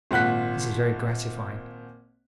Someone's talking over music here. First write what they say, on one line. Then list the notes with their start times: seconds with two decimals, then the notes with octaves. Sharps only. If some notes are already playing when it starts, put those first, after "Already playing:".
This is very gratifying.
0.11 G#1 A#2 F#5 F#6 B6